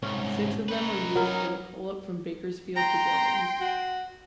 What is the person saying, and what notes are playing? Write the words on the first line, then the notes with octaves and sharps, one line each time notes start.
Six of them were used for the pull up from Bakersfield to Gorman's.
C2 G#2 C#4
D#4 B4
F#3 A#4
G5 A#5 C6
F#4